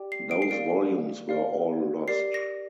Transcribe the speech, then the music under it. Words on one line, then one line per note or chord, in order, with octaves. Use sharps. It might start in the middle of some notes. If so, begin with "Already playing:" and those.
Those volumes were all lost.
Already playing: G4 D5 G5
C7
D7
C7
A#4 D5 F5 D7
A#4 D5 F5
G4 A#4 D5 C7
A#6